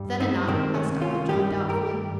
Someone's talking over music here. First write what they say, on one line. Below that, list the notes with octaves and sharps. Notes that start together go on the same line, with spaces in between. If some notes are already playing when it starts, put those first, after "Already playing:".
"Is that enough?" asked Uncle John, doubtfully.
Already playing: G2 G3
C4 D#4
C3 D#3 G#3 C4
C#4
C#4 F4
G2 D#3 G3 D#4 G4
G4 A#4